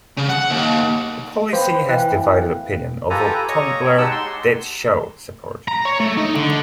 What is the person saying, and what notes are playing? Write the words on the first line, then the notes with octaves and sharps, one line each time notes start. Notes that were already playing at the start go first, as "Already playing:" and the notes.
The policy has divided opinion, although Tony Blair did show support.
C#3
F#5
D#2
B4 C5 F5 G5
E3 F5 G5 F#6
F4 G4 A4 B4 G#5 A#5
C#5 D#5 A#5 C#6
G5
G#3 D#4 G4 F#5 A5 E6
C6
A#5
C#5
A3
D#4
D3